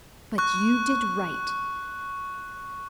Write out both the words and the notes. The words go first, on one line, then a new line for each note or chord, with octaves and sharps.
But you did right.
C#6 F#6